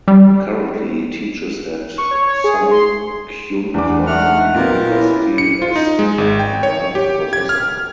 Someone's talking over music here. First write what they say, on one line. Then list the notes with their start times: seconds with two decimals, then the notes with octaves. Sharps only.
Currently he teaches at Sungkyunkwan University as Invited Professor.
0.08 G3
1.98 C#6
2.11 C#5
2.27 C#5
2.44 G#4
2.71 C6
3.74 E2 D4 D6
4.07 A3 D#4 F#5 F6
4.55 A#2 B3 F4 G4 A#4
4.88 C#4 E4
5.38 C#7
5.62 F4
5.76 D#4
5.99 G#3
6.18 G#1
6.40 G5
6.63 C#5
6.95 G4
7.33 G#6
7.49 F6